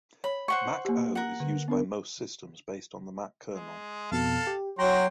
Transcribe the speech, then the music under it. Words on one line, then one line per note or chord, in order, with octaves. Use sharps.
Mach-O is used by most systems based on the Mach kernel.
C#5 B5
C5 F#5 C#6
A#3 G4
A#4 F#5
D3
B3 D4 A#4
G#3
F2 B2 A4 F5
G4
F#3 F#4 G5 A#5 C6